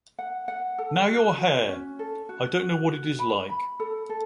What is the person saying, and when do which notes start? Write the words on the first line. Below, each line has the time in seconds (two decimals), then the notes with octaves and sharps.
Now your hair, I don’t know what it is like!
0.19 F#5
0.48 F#5
0.78 A4
1.09 F#4
1.38 F#4
1.69 C#4
1.99 A4
2.29 F#4
2.59 F#4
2.89 F#4
3.19 B5
3.50 B5
3.80 A4
4.09 A4